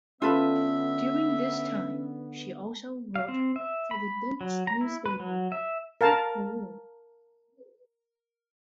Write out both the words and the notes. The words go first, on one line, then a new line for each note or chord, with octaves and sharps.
During this time she also wrote for the Dutch newspaper "Het Parool".
D3 B3 C#4 F4 A4 B4 E5
F5
C4
E5
B5
F#3
A#5
E4
B4
F#3
E5
A#4 F5 A5